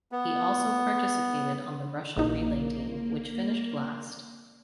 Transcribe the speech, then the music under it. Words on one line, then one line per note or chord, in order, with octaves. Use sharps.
He also participated on the Russian relay team, which finished last.
B3
A#1 A#3 D#4